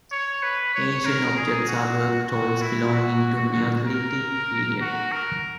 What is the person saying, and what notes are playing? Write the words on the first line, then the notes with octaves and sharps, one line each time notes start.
Ancient objects are work tolls belonging to the Neolithic period.
C#5
B4
C#5
A#4
G#4
F#4
F#4
E4
F#4
A#4
F#4
A#4